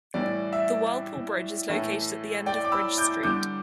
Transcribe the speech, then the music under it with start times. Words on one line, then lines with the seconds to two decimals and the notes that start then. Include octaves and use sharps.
The Whirlpool Bridge is located at the end of Bridge Street.
0.14 A2 E3 G3 D5
0.53 E5
1.69 A2 E3 A3
2.46 D5 G5
2.65 D6
2.72 B5 E6
2.98 D6 G6
3.23 D3 G3 D6 G6